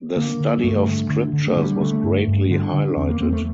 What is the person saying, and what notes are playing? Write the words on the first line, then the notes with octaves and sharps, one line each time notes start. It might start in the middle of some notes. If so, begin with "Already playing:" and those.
The study of scriptures was greatly highlighted.
D3 A#3
D3
G3
G2 A3
D3
D3
D3
A3
D3 G3
D3 A3
G2
G2
D3
D3
E2 C4
A#3
E2 C4
A3